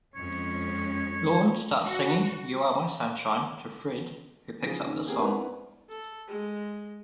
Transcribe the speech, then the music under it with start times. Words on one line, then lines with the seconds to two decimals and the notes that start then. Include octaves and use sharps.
Lorne starts singing "You Are My Sunshine" to Fred, who picks up the song.
0.15 F2 G#3 C#4 C#5
1.87 F#4
4.62 C#3 E3 F3 G#4
4.83 D#2 G#2 C#4
5.06 A#3 C4 C#4 G4 G#4 A#4
5.21 B3 C4 D4 E4 A#4 B4
5.89 A4
6.28 G#3